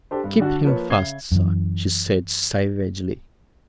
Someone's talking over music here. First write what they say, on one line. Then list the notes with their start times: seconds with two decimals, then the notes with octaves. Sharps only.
"Keep him fast, sir," she said savagely.
0.11 D4 G4 A4 C5
0.24 G2
0.40 D3 D4 F#4
0.64 F3 A#3 B4 C#5
0.90 C#3 E5 G#6 C7 G7
1.32 F#2 E3